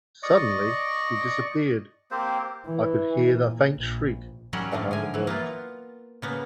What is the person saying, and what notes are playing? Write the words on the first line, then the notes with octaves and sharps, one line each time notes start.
Suddenly, he disappeared, and I could hear a faint shriek behind the walls.
D5 D#5 C#6
A#3 C4 G4 C5
E3
A#2
A#1
F#3 G3 C#4 F#4 A#4 F#5
A2 D3 F3 A3 A#3
D3 A#4 G#5
E3 F#3
A#3 B3 F4
C#3 A#3 B3